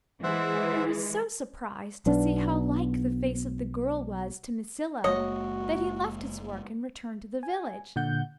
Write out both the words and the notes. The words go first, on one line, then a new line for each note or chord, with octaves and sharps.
He was so surprised to see how like the face of the girl was to Masilo, that he left his work and returned to the village.
E3 G#3 C5 E5 F#5
B1 B3 D4
F#1 G#3 A#3 F#4 C#5 D#5
G#5
A#2 D3 F#5 G6